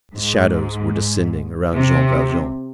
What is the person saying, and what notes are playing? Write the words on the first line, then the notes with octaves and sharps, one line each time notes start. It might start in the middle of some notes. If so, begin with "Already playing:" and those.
The shadows were descending around Jean Valjean.
G#2
C3